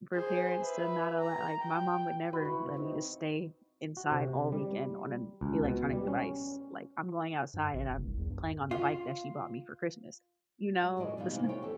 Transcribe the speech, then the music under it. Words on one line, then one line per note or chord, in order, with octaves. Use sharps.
for parents to not allow like, my mom would never let me just stay inside all weekend on an electronic device. Like, I'm going outside and I'm playing on the bike that she bought me for Christmas, you know? So
G#4 C5
B4 E5
A#5
G5
F#4 B4
E4
C4 D#4
F#4
C3
G3
C#2
B2
G3
C#4
G2
A1
F1
C2
E2
G2
F4
G3
F#2 A2 F#3 D5 D#5
B2 D#3 G3 B3 F4
C3 E3 A#3 C4
F4 C#5 G5
F2 G4 A4